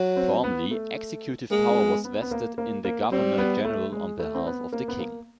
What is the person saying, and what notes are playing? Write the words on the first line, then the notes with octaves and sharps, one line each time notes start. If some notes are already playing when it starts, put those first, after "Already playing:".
Formally, executive power was vested in the Governor-General on behalf of the King.
Already playing: F#3
C4
B3
A3
G#3 A#3
C4
B3
B3
B3
A#3
A#3
A#3
G3 C4
B3
A3
G#3
A3
C4
B3
A#3
B3
A#3